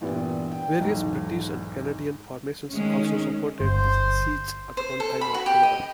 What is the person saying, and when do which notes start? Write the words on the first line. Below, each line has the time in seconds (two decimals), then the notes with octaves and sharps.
Various British and Canadian formations also supported the siege at one time or another.
0.01 G2 A#2 E3 G3 B3
0.51 G5
0.81 B1 E2 G#2
2.70 D#3 G#3 C#4
3.60 G1 C5
4.77 C5
5.00 A4
5.21 B5
5.34 F#4
5.46 G4
5.63 D#5